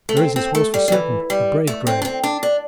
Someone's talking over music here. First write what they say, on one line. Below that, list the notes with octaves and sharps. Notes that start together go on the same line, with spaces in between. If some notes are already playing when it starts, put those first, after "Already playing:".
There is his horse, for certain--a brave grey!
A3
C4
C4
A3
G3
G3
E3
G3
A3
C4
D4
C4
D4
D4